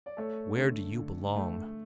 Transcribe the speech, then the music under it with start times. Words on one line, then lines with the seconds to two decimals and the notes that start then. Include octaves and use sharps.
Where do you belong?
0.06 D5
0.17 A3 A4 C#5
0.56 D3
0.97 D3
1.35 A3